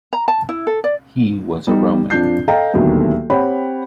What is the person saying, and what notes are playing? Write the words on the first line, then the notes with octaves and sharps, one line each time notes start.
He was a Roman.
A#5
A5
E4
A4
D5
G3 B3 D#4
F2 F3 D4 G6 C7
A4 D#5 F5 G5 A#5
D#1 D2 D#3 F#3 A3 B3
C4 G4 C#5 F#5 G5 B5